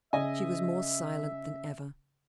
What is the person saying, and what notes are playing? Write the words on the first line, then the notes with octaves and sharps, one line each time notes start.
She was more silent than ever.
C#3 D#5 E5 G#5